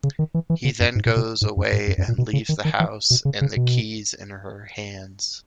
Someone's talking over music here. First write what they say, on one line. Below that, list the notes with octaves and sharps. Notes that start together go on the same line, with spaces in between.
He then goes away and leaves the house and the keys in her hands.
C#3
D#3
E3
E3
C#3
F#2
G#2
A#2
B2
G#2
F#2
G#2
F#2
F#2
A#2
B2
C#3
D#3
D#3
E3
B2
C#3
C#3
B2